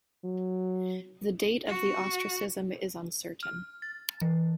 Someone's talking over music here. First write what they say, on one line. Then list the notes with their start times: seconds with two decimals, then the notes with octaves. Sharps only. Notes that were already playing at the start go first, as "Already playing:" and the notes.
The date of the ostracism is uncertain.
0.24 F#3
1.67 F#4
3.43 F6
3.82 A6
4.22 E3